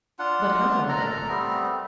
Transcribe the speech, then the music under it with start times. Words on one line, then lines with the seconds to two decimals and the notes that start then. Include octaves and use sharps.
"But how, madame?"
0.19 D4 F4 F#5
0.89 A4 A#4 A#5
1.29 G3 A3 B3 C4